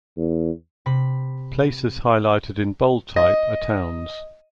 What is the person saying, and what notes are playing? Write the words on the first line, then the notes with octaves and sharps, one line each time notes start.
Places highlighted in bold type are towns.
E2
C3 B5
D#5